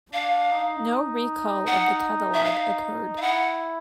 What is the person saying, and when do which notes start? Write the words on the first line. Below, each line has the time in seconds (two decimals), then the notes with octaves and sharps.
No recall of the catalog occurred.
0.13 D4 F5
0.52 D#4
1.67 F#5
2.34 E5
2.44 D#4 F5
3.17 F5
3.21 E4 F#5